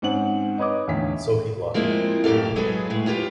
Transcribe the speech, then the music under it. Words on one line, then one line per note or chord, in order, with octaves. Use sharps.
So he left.
G#2 C4 C#4 F#5 F#7
D#4 B4 C#5 D#5 D6
E2 A2 D3 C#5 F5 B6
F3 G#3 A#3 C4 E4
F#2 A2 G4 A4 F5
F#3 G#3 G#4 A4 B4
A2 G#3
D#2 F4 G4 B4